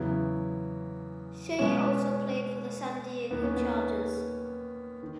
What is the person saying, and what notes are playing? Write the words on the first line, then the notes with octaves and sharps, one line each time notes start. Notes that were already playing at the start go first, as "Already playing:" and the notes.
Shea also played for the San Diego Chargers.
Already playing: E2 C#3 F#3 B3 E4
B2 G#3 B3 C#4
D#2 D#3 A#3 B3
C#4
B3
D#3